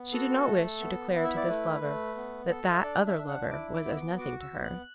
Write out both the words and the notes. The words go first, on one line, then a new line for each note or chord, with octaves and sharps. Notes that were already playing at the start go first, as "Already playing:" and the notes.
She did not wish to declare to this lover that that other lover was as nothing to her.
Already playing: B3
F#4 A4
A3
B3
E4
E5
D5
A3 B4
A3
B3
A4
E5
D4 D5
E5
D4
F#5
E4 D6
D6
B3 E6
D6
F#4 D6
E6
B3
F#6